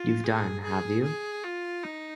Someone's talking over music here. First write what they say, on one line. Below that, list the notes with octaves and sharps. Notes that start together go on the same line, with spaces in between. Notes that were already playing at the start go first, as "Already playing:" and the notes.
You've done, have you?
Already playing: F4
G#4
G#4
G#4
F4
D#4